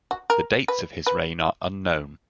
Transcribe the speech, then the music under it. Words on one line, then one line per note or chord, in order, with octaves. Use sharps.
The dates of his reign are unknown.
F#4
A#4
B4
B4